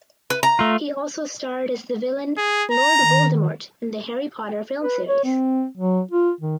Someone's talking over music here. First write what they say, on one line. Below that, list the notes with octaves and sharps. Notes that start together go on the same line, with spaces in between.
He also starred as the villain Lord Voldemort in the "Harry Potter film series".
B4
A#5
A3 F4
G#4
A#5
D#3
B4
C#5
C4
F#3
F4
D#3